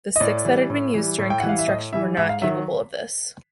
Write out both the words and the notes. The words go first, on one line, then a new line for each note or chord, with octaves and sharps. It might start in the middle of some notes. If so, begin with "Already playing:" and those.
The six that had been used during construction were not capable of this.
D#5
A2 D5
E3 G3
A2
E3 G3
A2
G5
E3 G3 F#5
F5
E5
A2 D#5
E3 G3 E5
G#2 E5
F5
D#3 F#3 E5